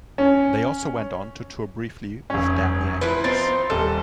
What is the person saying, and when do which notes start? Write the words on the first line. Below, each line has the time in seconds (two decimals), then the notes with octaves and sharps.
They also went on to tour briefly with Damn Yankees.
0.18 C#4
2.30 F1 C#4
3.01 F3 E4 B4
3.24 C4 D#4 F4 A6
3.70 D#1 G3 A4 D#5